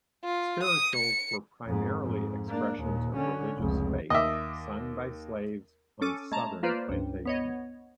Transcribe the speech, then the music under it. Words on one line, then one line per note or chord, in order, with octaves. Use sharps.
Spirituals were primarily expressions of religious faith, sung by slaves on southern plantations.
F4
D#6
C#7
F2 G#2
F2 G#2
A#3 D4
D#2 A#2
D3 C#4
F1 C#2
D#2 D#5 E5 D6
C#4 A4 D6 D#7
G#3 A3 A5 A#5
A#3 F4 B4 C5 D5
C#2 G2
B3 C#5 D#5